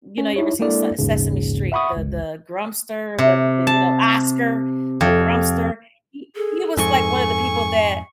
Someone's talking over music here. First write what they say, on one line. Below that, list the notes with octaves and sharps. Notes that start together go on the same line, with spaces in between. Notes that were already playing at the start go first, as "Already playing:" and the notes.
you know, you ever seen S Sesame Street, the the Grumpster, the the, you know, Oscar, the Grumpster, he he was like one of the people that,
C#4
D#4 E4 C#5
G#3 A#3 D4 E4 A4 D5
A#1 D#2 G#2 C#3
E5 F#5 B5 C#6 D#6
G1 C#2
C3
A5
F2
G#4 A4
F2 G#2 G#5 C#6